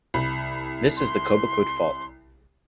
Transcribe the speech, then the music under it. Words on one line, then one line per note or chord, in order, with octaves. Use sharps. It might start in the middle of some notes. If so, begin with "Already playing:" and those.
This is the Cobequid Fault.
C2 B5
C6